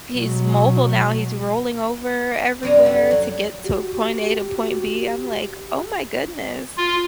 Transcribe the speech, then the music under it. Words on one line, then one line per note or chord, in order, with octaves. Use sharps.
he's mobile now. He's rolling over everywhere to get to point A to point B. I'm like, oh my goodness.
B2 F#3
F#2 C3 G3 G#5 A#5
D3
F#3
F#4 G4
F4